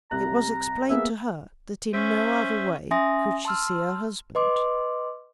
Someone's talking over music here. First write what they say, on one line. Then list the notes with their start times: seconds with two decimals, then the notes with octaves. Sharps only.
It was explained to her that in no other way could she see her husband.
0.11 C2 A#5 F#6
0.90 A#3 B3 G#4 E5
1.93 C#4 C5 E5
2.91 C#4 E5 G#5 C6 D#6 A#6
3.45 A5 C6 E6 F6
4.35 B4 D#5 C6 D6